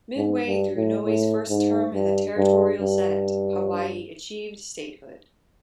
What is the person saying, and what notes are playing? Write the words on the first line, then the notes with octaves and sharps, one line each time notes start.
Midway through Inouye's first term in the territorial senate, Hawaii achieved statehood.
G#2
G2
A2
A2
G#2
G2
G2
G2